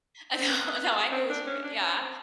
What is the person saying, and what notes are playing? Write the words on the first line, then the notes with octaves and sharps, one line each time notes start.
Uh, no, no, I knew what you meant Yeah,
C4
B3
C4
D4
C#4
D4
C#4
C4